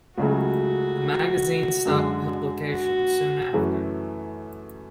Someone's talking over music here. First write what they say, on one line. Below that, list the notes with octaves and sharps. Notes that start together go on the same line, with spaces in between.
The magazine stopped publication soon after.
C#2 C#3 F#3 A3 F#4
F#2 D3 G#3
F#4
F#2 E3 A3 C#4 E4